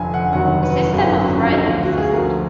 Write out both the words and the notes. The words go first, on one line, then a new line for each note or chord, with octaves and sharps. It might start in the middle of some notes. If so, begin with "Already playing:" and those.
A system of rank existed.
Already playing: F1 F2 D3 F3 G#5
F#5
F1 D#2 D#3 F#3 F#5
B4
G#1 F#2 D3 F#3 B4
F#4
F4
D2 D3 F3 D#4
F4
F#4
G#4
D2 D3 F3 A#4